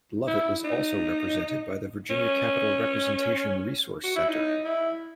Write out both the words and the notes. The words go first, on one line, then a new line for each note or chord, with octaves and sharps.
Lovitt was also represented by the Virginia Capital Representation Resource Center.
E4
D#4
C#4
F#4
E4
D#4
E4